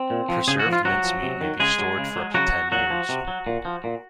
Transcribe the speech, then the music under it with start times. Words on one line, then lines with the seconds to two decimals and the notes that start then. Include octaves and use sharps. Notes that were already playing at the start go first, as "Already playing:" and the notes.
Preserved mincemeat may be stored for up to ten years.
Already playing: C4
0.10 A#2
0.29 F3
0.48 C#3 G#4
0.60 F#4
0.66 F3
0.73 F4
0.85 C3 F#3 F#4
1.03 F3
1.22 C3
1.41 D#3 F#3
1.59 C#3 G#3 G#4
1.79 F#3
1.98 C#3
2.16 F#3
2.34 C#3 F#3 F#4
2.53 F#3
2.72 A#2 F#3 F#4
2.90 F3
3.09 C3
3.28 F#3
3.47 A#2
3.65 F3
3.84 A#2